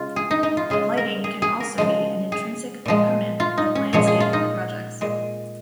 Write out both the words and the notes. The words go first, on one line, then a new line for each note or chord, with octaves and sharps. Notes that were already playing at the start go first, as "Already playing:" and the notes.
Lighting can also be an intrinsic component of landscape projects.
Already playing: C#3 G#3 F4
G#4
D#4
D#4
F4
C#3 G#3 G#4
A#4
G#4
G#4
A#4
C#3 F3 G#3
G#4
A#2 F3 G#3
F4
D#4
C#4
A#2 F3 G#3 C#5
G#4
F4
D#4
A#2 G#3